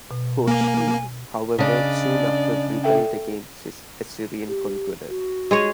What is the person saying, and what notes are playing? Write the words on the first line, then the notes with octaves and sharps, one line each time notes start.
Hoshea, however, soon after rebelled against his Assyrian conqueror.
B2
A#3 G#5
C#3 D4 D5 D#5
A4 E5 G5
G4
F#4
G#3 G#4 C#5